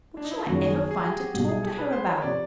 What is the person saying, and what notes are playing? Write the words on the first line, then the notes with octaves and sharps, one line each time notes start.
What shall I ever find to talk to her about?
D4
D#4
E4
F4
F#1 F#2 D#3 F#4
G#4
G#4
G4
G#4
B1 B2 G3 G#4
G#4
A4
B4
C5
C#5
C#5
C3 F3 D5